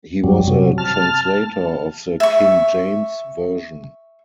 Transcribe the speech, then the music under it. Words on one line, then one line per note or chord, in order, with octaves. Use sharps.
He was a translator of the King James Version.
F#2 F#3 G3
C3 F#3
A5 F6
E5 C#6